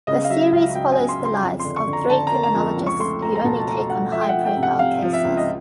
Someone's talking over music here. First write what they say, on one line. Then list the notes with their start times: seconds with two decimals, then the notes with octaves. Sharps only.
The series follows the lives of three criminologists who only take on high-profile cases.
0.07 C#3 D#5
0.24 F5
0.30 F#3 E5
0.52 C#2 F5
0.75 F#3 G5
0.92 G#5
0.98 C#3
1.08 C6
1.20 C#3
1.25 C6
1.42 F2
1.59 D3 C6
1.76 C#6
1.87 D3
1.93 A#5
2.10 D3 A5
2.27 A#5
2.32 A#3
2.43 A#5
2.55 F2
2.77 C#2
2.86 C#6
2.99 A3 C6
3.22 A3 A#5
3.36 A#5
3.44 B2 A5
3.59 A5
3.67 A3 A#5
3.89 A3 F#5
4.12 F3 E5
4.21 G5
4.29 F#5
4.34 F3
4.46 G5
4.57 C3
4.63 F#5
4.79 C3 F5
5.02 F3
5.13 E5
5.25 C#2
5.37 D#5